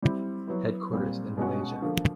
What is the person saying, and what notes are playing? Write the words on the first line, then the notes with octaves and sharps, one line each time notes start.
Headquarters in Malaysia.
G3 C4 E4
F#3 B3 E4
A#2 G3 C4
B2 G#3 C#4 F#4
D3 F3 A#3